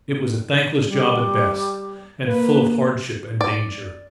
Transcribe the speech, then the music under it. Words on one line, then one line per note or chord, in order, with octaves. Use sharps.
It was a thankless job at best, and full of hardship and danger.
G3
A#3 B4
D5